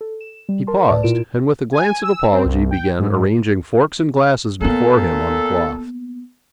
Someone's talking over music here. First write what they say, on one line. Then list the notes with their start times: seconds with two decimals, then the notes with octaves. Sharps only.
He paused, and with a glance of apology began arranging forks and glasses before him on the cloth.
0.01 A4
0.21 E7
0.49 G3
0.67 A#4 A5 C6
0.87 A2 B4 D5 A5
1.03 A#2 E4 F4 A#4 D7 E7
1.73 G#5
2.02 E6
2.32 C4
2.45 C2
2.71 G5
2.99 G#2
4.61 A#2 A#3 B3 A4